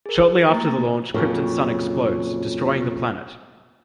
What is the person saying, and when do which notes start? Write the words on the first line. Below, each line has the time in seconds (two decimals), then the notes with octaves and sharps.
Shortly after the launch, Krypton's sun explodes, destroying the planet.
0.06 G#4 A#4
0.50 A3 A#3 A#5 A6
1.14 F2 A#2 C#3 F#3